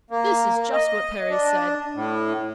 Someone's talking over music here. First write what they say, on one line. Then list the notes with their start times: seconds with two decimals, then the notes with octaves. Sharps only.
This is just what Perry said.
0.11 A#3
0.73 D#5
1.30 D4
1.95 A2